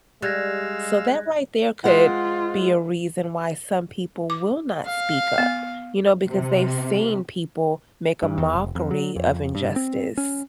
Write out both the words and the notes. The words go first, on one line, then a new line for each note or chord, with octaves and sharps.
So, that right there could be a reason why some people will not speak up, you know, because they've seen people make a mockery of injustice.
G3 G#3 F5 E6 F#6 G#6 A#6
G#3 F4 C5 F#5
D6
F5
B3
C3
G2
E2
F1
F2
F#3
F2
G2
C4
C#4